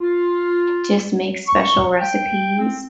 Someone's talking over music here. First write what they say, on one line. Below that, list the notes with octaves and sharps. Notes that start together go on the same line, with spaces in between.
just make special recipes,
F4
C#6
G5
C4